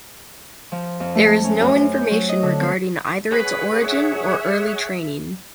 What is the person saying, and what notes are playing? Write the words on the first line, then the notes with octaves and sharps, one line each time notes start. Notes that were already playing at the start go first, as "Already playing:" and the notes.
There is no information regarding either its origin or early training.
F3
F2
A3
C#4
F#2
F#2
G6
F#3
D#5
D3
C4
G#4 B4 C#5 F#5
E5